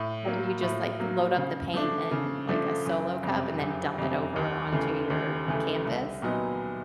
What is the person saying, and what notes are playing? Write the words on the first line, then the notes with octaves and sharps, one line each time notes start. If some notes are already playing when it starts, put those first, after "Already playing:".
where you just, like, load up the paint in, like, a solo cup and then dump it over onto your canvas
Already playing: A2
F#3 A#3
A2
F#3 A#3
C#3
F3 A3 D4
C#3
F3 A3 D4
F#1
F2 C3
F#1
F2 C3
D#2
C#3 E3 A3
D#2
C#3 E3 A3
C2
A#2 F#3 B3 D#4